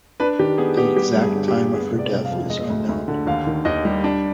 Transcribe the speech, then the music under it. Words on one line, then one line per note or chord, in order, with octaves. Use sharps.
The exact time of her death is unknown.
D4 B4
D#3 G4
B3 G#4
B3 G4
G3 G4
G2
G#4
D3
G4
G2
B3 G#4
C3
D5
C3
F5
F2
G#3 D#5
D2
D2
D3
D#2 F5
D#3
D#2 D#5
G3
D4